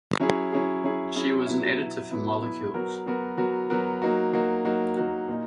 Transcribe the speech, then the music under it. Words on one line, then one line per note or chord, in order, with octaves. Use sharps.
She was an editor for "Molecules".
F#3 C#4 E4 G#4
F#3 C#4 E4 G#4
F#3 C#4 E4 G#4
F#3 C#4 E4 G#4
B2 F#3 B3 E4
B2 F#3 B3 E4
B2 F#3 B3 E4
B2 F#3 B3 E4
F#3 B3 F#4 A#4
F#3 B3 F#4 A#4
F#3 B3 F#4 A#4
F#3 B3 F#4 A#4
F#3 A#3 D#4 F#4
F#3 A#3 D#4 F#4
F#3 A#3 D#4 F#4
F#3 A#3 D#4 F#4
A#2 A#3 D#4